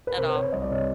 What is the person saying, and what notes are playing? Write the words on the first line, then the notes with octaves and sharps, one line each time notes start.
at all.
B4
C3 A#4 C5
C5
C3 B4 C#5
C2 D#5
D5
C3 C#5